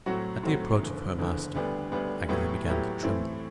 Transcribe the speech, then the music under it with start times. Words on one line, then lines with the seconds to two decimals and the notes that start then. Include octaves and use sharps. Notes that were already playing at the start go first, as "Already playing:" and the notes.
At the approach of her master, Agatha began to tremble.
0.06 A2 F#3 C4 F#4
0.43 A2 F#3 C4 F#4
0.80 F#1 E2 D3
1.18 F#1 E2 D3
1.55 D2 D3 G3 B3 D4
1.92 D2 D3 G3 B3 D4
2.29 A2 F#3 B3 E4 G4
2.66 A2 F#3 B3 E4 G4
3.03 A2 E3 A3 C4 E4